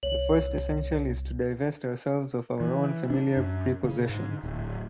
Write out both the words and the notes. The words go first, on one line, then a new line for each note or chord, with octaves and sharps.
The first essential is to divest ourselves of our own familiar prepossessions.
C2 C#5 F#7
E3
D4
F#2
C#3
G#2
D1